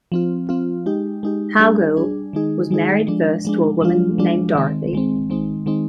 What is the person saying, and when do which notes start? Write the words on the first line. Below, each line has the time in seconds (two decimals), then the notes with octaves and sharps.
Howgill was married first to a woman named Dorothy.
0.12 F3 C4 F4
0.49 F3 C4 F4
0.86 G#3 D#4 G4
1.23 G#3 D#4 G4
1.59 G3 D4 G#4
1.97 G3 D4 G#4
2.33 D#3 G#3 D#4 G#4
2.71 D#3 G#3 D#4 G#4
3.07 F3 G#3 D4
3.45 F3 G#3 D4
3.82 F3 G#3 D4 F4
4.18 F3 G#3 D4 F4
4.55 D#3 G#3 C4
4.93 D#3 G#3 C4
5.30 D#3 G#3 C4 D#4
5.66 D#3 G#3 C4 D#4